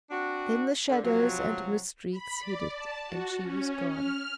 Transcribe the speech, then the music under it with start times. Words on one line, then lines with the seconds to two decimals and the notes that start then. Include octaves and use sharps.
Then the shadows and mist-wreaths hid it, and she was gone.
0.11 C4 D4 F#4
0.89 D3
1.04 C3 F3 F#3
2.11 B5
2.41 D5
2.74 A5
3.07 F#4
3.40 C#4
3.88 F6